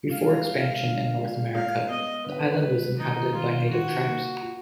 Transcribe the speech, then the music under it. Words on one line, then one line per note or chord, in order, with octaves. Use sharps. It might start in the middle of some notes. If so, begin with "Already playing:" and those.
Before expansion in North America, the island was inhabited by native tribes.
G#3 F5
G#3
D3
G#3
G#3 F5
B3 D#5
D3 B4
G#3
D#3 D#4
D#3 F4
D#3 F#4
A#3
F#4